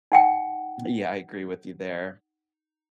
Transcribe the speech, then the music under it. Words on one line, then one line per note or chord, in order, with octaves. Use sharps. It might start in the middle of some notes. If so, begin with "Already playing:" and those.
Yeah, I agree with you there.
D#4 F#5 G5